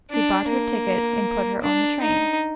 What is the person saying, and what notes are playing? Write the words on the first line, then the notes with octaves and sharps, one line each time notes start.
He bought her ticket and put her on the train.
D4
A#3
D4
D#4